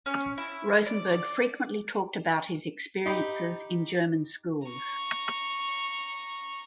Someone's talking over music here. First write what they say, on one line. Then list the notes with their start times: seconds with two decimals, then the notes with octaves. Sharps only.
Rosenberg frequently talked about his experiences in German schools.
0.06 C#4
0.38 E4
0.86 D5
1.13 D5
3.06 D#4 G4 B5
4.67 A#5 C#6